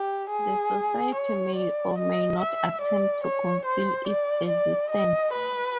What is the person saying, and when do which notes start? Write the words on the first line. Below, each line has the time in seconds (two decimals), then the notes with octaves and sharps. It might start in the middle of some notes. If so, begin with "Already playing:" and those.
The society may or may not attempt to conceal its existence.
Already playing: G4
0.30 G#4
1.15 C#5
1.56 D5
1.98 D#5
2.40 E5
2.81 D5
3.24 C#5
3.65 C5
4.07 D5
4.49 D5
4.90 D#5
5.33 B4